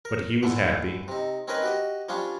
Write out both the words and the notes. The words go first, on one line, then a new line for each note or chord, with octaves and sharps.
But he was happy.
A#4
D3 E3 A3
C3 D#4
C4 C#4 D#4 A#4 B4 D#5
F#4 G4 D#5
F3 G3 C#4 D4 C#5